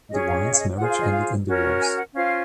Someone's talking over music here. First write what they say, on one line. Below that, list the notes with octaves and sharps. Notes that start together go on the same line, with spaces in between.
DeWine's marriage ended in divorce.
C#4 G#4 C#5 D#5
F5
D#5
F5
D#5
F4 G#4 C5 F#5
F5
D#5
F5
C#4 F#4 A#4 C#5
G#5
F#5
C#4 F4 C5 F5